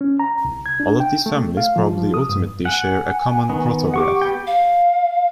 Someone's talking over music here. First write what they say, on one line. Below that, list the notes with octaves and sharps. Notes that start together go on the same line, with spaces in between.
All of these families probably ultimately share a common protograph.
C#4
A#5
C2
G#6
D4
G5
A3
F5
F3
F3
D#6
G2
F#5 G#5
D#3 B3
G4 F#5 C#6 D6
B3 G5
F5